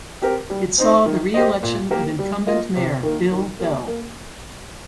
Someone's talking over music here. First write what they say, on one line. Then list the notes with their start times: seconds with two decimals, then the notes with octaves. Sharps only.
It saw the reelection of incumbent mayor Bill Bell.
0.22 C4 G4 A#4
0.50 G3
0.78 C4 D#4 C5
1.06 D#3
1.34 A#3 G4 C5 D#5
1.63 A#2
1.91 A#3 G4 A#4
2.19 G3
2.47 A#3 F4 D#5
2.75 C3
3.03 D#3 A#3
3.32 D#3
3.59 A#3 G4
3.88 A#3